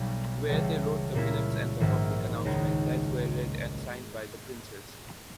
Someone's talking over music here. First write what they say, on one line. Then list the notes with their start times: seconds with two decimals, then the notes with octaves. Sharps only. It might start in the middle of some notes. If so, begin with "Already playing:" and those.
Where they wrote the minutes and the public announcement, that were read and signed by the princes.
Already playing: B1 B2 G3
0.48 C#2 C#3 E3 G3
1.15 A#2 A#3 C#4 E4
1.80 A#1 G#2 D#3 A#3 E4
2.45 C#2 C#3 G#3 D#4